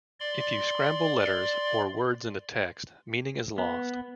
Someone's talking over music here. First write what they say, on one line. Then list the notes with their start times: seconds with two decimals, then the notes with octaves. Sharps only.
If you scramble letters or words in a text, meaning is lost.
0.20 D5 C6
3.58 B3